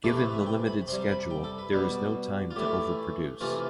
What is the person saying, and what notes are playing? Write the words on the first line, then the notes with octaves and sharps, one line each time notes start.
Given the limited schedule, there is no time to overproduce.
C3 E3 A3 A4
B4
E5
G5
B5
C3 G3 C6
B5
G5
A4
B4
B2 G3
F4
A2 E3 A3 G4
C3 E3 A3 F4